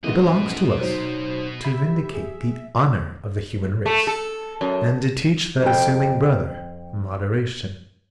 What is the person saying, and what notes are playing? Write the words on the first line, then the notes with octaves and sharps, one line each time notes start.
It belongs to us to vindicate the honor of the human race, and to teach that assuming brother, moderation.
D2 G#2 B2 E3 C#4 D#5
F#3 D#4 C5
G4 E5 B5
G#4
A3
A4
F#2
F2 G5